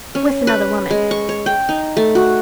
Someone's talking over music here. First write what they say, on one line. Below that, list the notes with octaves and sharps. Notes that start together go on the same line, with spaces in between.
"With another woman."
C#4
B4
G#3
C#6
C#5
G5
D#4
A3
F#4